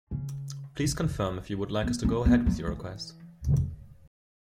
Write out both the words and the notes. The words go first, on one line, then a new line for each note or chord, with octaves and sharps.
Please confirm if you would like us to go ahead with your request.
C#3
B3
C#4
B3
F#3
E3